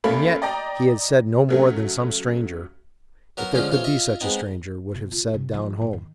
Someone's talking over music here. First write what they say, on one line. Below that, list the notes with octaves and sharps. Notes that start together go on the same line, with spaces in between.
And yet, he had said no more than some stranger, if there could be such a stranger, would have said down home.
F#2 A3 A#3 C#4 A4 B5
D5 D#5 G5 A#5
C#3 F#3 A3
F#3 B3 A#4 F#5
D3 F3 G#3 C#4 F4 G#4
A1 F4 C5 C#5
F4 D#5 E5
G#3 B3 C4 D#4
B2
F4
C3
F3
G#2
D#3